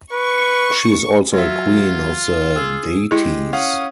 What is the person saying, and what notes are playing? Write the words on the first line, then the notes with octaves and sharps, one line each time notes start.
She is also a Queen of the deities.
B4 C#6
F#3 F4 E5
G#4 E6
G#3 E4 G4 G#4
C#4 F5 F#5 D#6